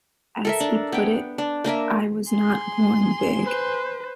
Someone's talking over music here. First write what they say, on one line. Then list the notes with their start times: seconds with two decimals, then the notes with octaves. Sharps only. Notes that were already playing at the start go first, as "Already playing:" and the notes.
As he put it, "I was not born big".
0.45 A4 A#4 E5
0.60 D4
0.92 B3 G5
1.38 D4
1.64 A#3 D4 A#4 E5
2.30 G#4 C6
3.43 B4 C5